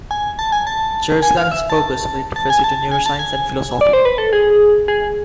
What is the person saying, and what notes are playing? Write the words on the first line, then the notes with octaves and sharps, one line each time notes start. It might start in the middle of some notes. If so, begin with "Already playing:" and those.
Churchland has focused on the interface between neuroscience and philosophy.
G#5
A5
G#5
A5
G#5
F5
E5
A5
A5
G#5
A5
G#5
A5
G#5
D5
C5
B4
A4
G#4
G#4